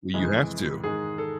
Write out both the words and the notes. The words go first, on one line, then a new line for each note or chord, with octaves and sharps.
Well, you have to.
F2 C3 E3 G#3
G#2 D#3 G#3 G#4
A4